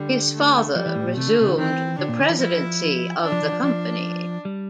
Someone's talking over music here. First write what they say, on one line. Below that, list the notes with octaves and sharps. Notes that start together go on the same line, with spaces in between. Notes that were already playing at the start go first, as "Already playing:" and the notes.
His father resumed the presidency of the company.
Already playing: D3 G3
A3
F3 G3
E3
A2
A#2
C3 A3
D3
C3
D3
E3 C4
D3 D4
A#2
D3
E3
F3 E4
D4
F3
E3
F3
F3 D4
G3